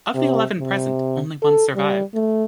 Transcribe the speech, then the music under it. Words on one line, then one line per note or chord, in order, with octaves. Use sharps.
Of the eleven present, only one survived.
C3
C3
A4
G3
A3